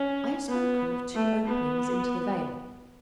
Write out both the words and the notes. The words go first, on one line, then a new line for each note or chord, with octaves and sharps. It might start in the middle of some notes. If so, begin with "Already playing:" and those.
I have spoken of two openings into the vale.
Already playing: C#4
B3
A3
B3